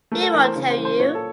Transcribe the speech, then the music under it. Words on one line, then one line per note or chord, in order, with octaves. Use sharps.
He won't tell you.
A3 A#4
A4
E3 A#4
C5
C#3
C5
E3
C5
A#2 C#5
A4